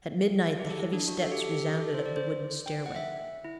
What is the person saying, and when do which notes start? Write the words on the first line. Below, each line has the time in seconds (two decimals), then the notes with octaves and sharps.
At midnight the heavy steps resounded up the wooden stairway.
0.59 G4
0.65 A4
0.79 E4
0.93 D4
1.08 F#4
1.22 A4
1.32 G4
1.41 A4
1.51 G4
1.80 A4
1.94 C5
2.06 D5
2.16 C5
2.66 G5
2.86 F#5
2.96 E5
3.44 E4